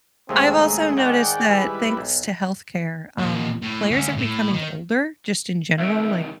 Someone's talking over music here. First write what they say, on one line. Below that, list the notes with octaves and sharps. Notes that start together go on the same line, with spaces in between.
I've also noticed that- thanks to health care- um, players are becoming older, just in general, like,
D#2 C3 F#3 G#3 A3 C4 G#4
A#5
G#2 D#3 G#4 D5 F#5 G5
G3 E4 B4
B1
D#2 A#2
A2
D2 C#4
A2
D#3
C2 D#3 E5